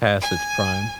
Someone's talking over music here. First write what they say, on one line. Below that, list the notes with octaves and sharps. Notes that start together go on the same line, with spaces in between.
past its prime.
G#5